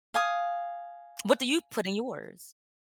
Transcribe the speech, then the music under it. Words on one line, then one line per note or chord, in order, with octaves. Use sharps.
What do you put in yours?
F5 G#5 D#6